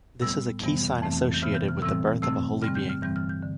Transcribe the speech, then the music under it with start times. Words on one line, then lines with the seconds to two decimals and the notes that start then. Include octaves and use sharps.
This is a key sign associated with the birth of a holy being.
0.22 A2 G3 B3 E6
0.62 F2 C3 E3 G3 B3
1.02 F2 E3 A3 C4
1.34 G6
1.42 C3 E3 B3 F6
1.55 G6
1.69 F6
1.82 A2 E3 G3 C4 E6
2.22 B2 A3 C4 E6
2.62 G2 D3 G3 C4 F6
2.75 G6
2.89 F6
3.02 G2 E3 G3 C4 G6
3.16 F6
3.29 G6
3.42 D3